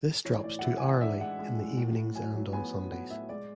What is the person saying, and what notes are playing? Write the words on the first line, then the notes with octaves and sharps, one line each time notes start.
This drops to hourly in the evenings and on Sundays.
E3 C#5
A2 D5
F#5
E3 E5
G#5
E3 F#5
D4 E5
G#3 F#5
G#3
A2
A2
A2
F#3 G#5
F#3
B3 G#5
F#3
B3 F#5
A2 E5
G#3 D5